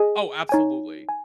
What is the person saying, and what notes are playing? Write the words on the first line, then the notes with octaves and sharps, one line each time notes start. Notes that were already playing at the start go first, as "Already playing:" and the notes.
Oh, absolutely.
Already playing: G#4 D#5 G#5
D#4 C#5 G#5
G#5